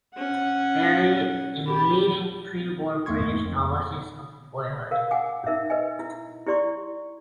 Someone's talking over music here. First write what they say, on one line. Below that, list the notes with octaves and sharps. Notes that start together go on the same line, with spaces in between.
Barrie, a leading pre-war British novelist of boyhood.
C#4 F#5
G4 B5
E2 A3 A#3 C6 C#6 G#6
F2
A#4 F5
F#5 G#5 D6
D#4 A#4 E5
B4 D#5 G#5
E4
E4 G4 D5 C6 C#6